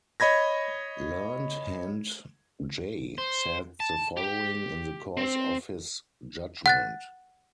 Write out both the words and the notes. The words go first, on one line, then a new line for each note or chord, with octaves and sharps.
Learned Hand J said the following in the course of his judgment.
C#5 D#5 B5 G#6 A#6
C5
A5
G4
C4
F#5 F#6 A6